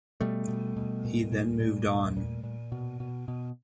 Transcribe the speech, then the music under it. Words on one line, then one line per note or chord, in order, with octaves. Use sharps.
He then moved on.
B2 G3 A3
B2
B2
A#2
A#2
A#2
A#2
A#2
A#2
B2
B2
B2